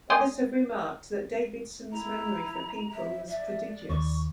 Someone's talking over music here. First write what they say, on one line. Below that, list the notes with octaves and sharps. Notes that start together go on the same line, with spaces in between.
Others have remarked that Davidson's memory for people was prodigious.
D5 G5 G#5 C6 D#6
E4 A#5
E5
D5 E5
D#2 C#6